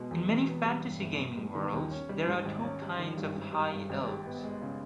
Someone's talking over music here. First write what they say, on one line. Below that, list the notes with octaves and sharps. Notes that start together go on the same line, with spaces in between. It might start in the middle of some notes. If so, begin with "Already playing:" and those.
In many fantasy gaming worlds, there are two kinds of high elves.
Already playing: B2 G#3
E2
E1
B3
G3
G2
G1
B3
G3
D#3
D#2
C#4
G3
G#2
G#1
C#4
G3
D#3
G2
G#1
G3
G2
G#1
G4
B3
G#3
C#3